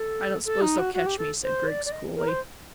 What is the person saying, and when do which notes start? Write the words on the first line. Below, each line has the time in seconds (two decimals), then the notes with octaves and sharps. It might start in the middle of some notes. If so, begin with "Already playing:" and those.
"I don't suppose they'll catch me," said Griggs coolly.
Already playing: A4
0.45 A4
0.61 D#4
0.78 F#4
0.94 F#4
1.06 G4
1.18 A4
1.43 C5
1.68 D5
1.86 D5
1.92 D#5
2.16 A#4
2.28 C5